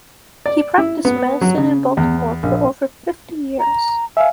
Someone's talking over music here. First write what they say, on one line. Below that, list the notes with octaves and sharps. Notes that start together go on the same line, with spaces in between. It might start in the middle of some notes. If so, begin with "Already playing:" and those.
He practiced medicine in Baltimore for over fifty years.
D5
E4
B3
F#3
C#3
E2
A#1
A#5
E5 F5 G#5